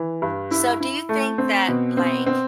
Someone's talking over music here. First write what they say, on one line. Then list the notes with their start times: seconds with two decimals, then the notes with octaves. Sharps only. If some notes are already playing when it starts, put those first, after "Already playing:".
So, do you think that, like,
Already playing: E3
0.22 G2
0.51 E4
0.81 E4
1.09 A3
1.38 C4
1.68 B2
1.97 C4
2.26 C4